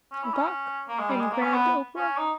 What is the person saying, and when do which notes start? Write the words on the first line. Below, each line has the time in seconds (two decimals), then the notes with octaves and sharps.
Bach, and grand opera.
0.12 C#4
0.23 E4
0.34 C#4
0.89 A#3
0.99 G#3
1.10 G3
1.21 G#3
1.32 A#3
1.42 C#4
1.53 B3
1.97 C#4
2.18 D#4